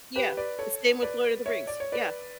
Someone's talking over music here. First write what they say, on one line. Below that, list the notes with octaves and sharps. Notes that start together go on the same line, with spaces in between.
Yeah, the same with Lord of the Rings, yeah,
G4 B4
B4 D5
A4 C#5
B4 D5
C#5 E5
D5
C#5
B4 D5